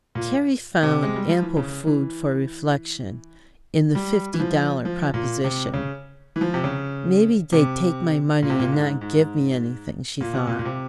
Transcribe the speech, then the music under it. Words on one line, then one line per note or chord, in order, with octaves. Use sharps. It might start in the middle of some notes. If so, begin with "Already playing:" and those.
Carrie found ample food for reflection in the fifty-dollar proposition. "Maybe they'd take my money and not give me anything," she thought.
A#2
C3
G#3
G3
F3
E3
C#3
E3
G3
E3
F3
F3
A#2
C3
C#3
E3
F3
C3
C#3
C3
A#2
C3
A#2
G#2
G#2
A#2
C3
A#2
A#2
C3